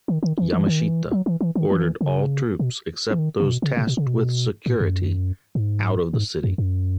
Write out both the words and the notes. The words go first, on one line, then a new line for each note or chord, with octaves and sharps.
Yamashita ordered all troops, except those tasked with security, out of the city.
D#3
D#3
E3
E3
D#3
E3
F#3
E3
E3
D#3
E3
C#3
B2
E3
D#3
C#3
B2
C#3
B2
B2
C#3
B2
A2
F#2
G#2
G#2
F#2
F#2